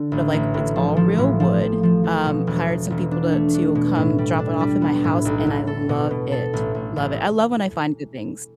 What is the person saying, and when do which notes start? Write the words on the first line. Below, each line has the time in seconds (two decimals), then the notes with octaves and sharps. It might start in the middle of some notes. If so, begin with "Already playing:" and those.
of, like it's all real wood, um, hired some people to to come drop it off at my house and I love it. Love it, I love when I find good things.
Already playing: D3
0.12 A1
0.33 A1
0.54 A2
0.76 F3
0.96 F3
1.18 A2
1.40 F3
1.61 F3
1.83 F3
2.04 F3
2.26 B2
2.47 E1
2.69 B2
2.90 E1
3.11 D4
3.32 A3
3.54 D4
3.75 B2
3.96 A2
4.18 G3
4.39 D4
4.60 G3
4.82 B3
5.04 A2
5.25 B1
5.47 A2
5.67 A4
5.89 B2
6.11 B2
6.32 A4
6.53 A1
6.75 A1
6.96 A1